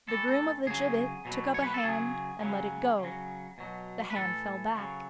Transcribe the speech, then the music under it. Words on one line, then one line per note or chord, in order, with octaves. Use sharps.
The groom of the gibbet took up a hand and let it go; the hand fell back.
A2 E3 A4
A4
C#3 F#3 G#4
B2 F#3
C#5
B4
A4
C#3 F#3 G#4
C#3 F#3
C#3
F#3
B2 F#3
B4
A2 E3 A4
C#3 F#3